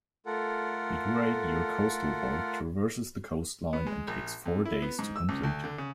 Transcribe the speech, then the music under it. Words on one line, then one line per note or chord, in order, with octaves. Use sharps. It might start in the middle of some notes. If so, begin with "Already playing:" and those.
The Yuraygir coastal walk traverses the coastline, and takes four days to complete.
A3 F4 A4 A#4 F#5
B3
G#3
A#1
F2
E4
B3
G#2
E6
C#2
D2
D3
C#3